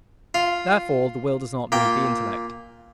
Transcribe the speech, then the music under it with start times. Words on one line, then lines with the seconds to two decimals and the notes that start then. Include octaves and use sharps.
Therefore the will does not move the intellect.
0.34 F4
1.72 A#2 G5